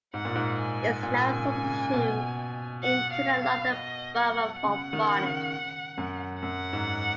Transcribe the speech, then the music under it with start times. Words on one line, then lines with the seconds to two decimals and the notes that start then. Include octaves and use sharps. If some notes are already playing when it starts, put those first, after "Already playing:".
It is now subsumed into the London Borough of Barnet.
0.14 G#2 F#5
0.25 A#2
0.35 G#2
0.59 G#5
1.03 A#2 G#5
1.33 C#3
1.64 C#3
1.94 B2
2.83 F#5
3.13 F5
3.43 F5
3.73 D#5
4.17 F#5
4.63 C#3 F#5
4.93 D#3
5.23 C#3
5.98 F#2
6.42 F#2 F#5
6.73 G#2